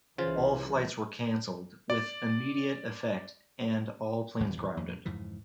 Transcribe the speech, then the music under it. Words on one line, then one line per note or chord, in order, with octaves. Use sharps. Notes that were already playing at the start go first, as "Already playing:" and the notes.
All flights were cancelled with immediate effect and all planes grounded.
C2 C#3 E3 F4 C5
D5
G#1 E2 A#2
F2
F2 G#2 C#3 E3